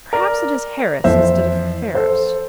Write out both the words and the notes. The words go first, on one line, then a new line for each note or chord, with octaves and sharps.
"Perhaps it is Harris instead of Ferris."
A#4 D5
F2 E3 C5 E5
A4 C5